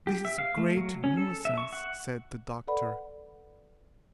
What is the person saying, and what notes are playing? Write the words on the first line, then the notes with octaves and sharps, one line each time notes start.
"This is a great nuisance," said the Doctor.
G4
E5
F5
A3
F#3
C#4
A4
E5
C#6
F#5
A4 B4 D5 F#5 B5